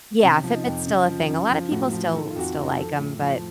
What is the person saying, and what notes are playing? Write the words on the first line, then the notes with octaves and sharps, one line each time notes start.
Yeah, Fitbit's still a thing, a lotta people still still like 'em, but
C3 C#4
F3
D#4
F2
C#3
F3
F#2
F3 F4
A2 F#4
F3
D#3 A4
F4
F2 F#4
F4
D#3 F#4
F3 A4
A2
F3